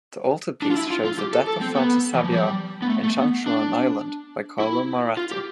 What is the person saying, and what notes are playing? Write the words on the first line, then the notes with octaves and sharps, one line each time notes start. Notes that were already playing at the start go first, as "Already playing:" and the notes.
The altarpiece shows the "Death of Francis Xavier in Shangchuan Island" by Carlo Maratta.
D4
F4
E4
F4
F4
G4
A4
A4
C4
B3
E3
F3
G3
B3
A3
A3
B3
D4
E4
F4
G4